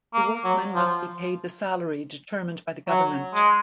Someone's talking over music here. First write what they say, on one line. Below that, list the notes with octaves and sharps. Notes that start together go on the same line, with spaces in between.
The workmen must be paid the salary determined by the government.
A#3
F#3
F3
F#3
G#3